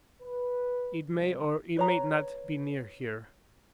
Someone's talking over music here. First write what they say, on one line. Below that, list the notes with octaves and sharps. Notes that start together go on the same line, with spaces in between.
It may or it may not be near here.
B4
C2
B4 C#5 A#5